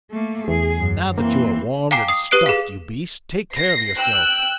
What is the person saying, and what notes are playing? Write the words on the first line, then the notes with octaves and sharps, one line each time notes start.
Now that you are warmed and stuffed, you beast, take care of yourself.
A3 A#3
E2 G#4
F#2
E3 A#3 C4
F5 G5 G#5 A#5 D6 C7
D#6 C7
G4 B4 D#6 F#6 C7 D7
G#4 F5
A#6 C7
G5 E6 F#6